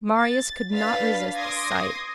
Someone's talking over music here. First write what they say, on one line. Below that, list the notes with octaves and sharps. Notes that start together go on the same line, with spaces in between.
Marius could not resist this sight.
A6
D4 B4 F5 A6 B6
C6 D6 D#6 G#6 A#6 C7